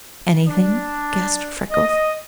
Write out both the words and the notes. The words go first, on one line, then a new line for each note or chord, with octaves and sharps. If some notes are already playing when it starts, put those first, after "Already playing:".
"Anything!" gasped Freckles.
D4
D#5